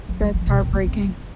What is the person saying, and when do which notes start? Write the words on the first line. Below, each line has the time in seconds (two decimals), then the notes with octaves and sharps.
That's heartbreaking.
0.09 F3
0.21 G3
0.34 F3
0.47 C3
0.60 D#3
0.73 A#3
0.87 C4